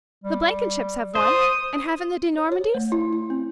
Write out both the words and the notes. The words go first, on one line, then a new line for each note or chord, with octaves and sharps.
"The Blankenships have one, and haven't the de Normandys?"
G3
C5 D#6
C#5
C#5
A3
E4
E4
C4